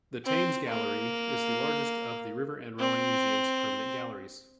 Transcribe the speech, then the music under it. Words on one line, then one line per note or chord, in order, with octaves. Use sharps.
The Thames Gallery is the largest of the River and Rowing Museum's permanent galleries.
C4
A#3
C4